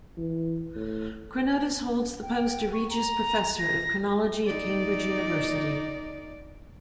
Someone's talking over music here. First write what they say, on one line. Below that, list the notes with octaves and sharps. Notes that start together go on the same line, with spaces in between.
Chronotis holds the post of Regius Professor of Chronology at Cambridge University.
E3
A2
G5
C#6
A#5
A#6
D#4 D5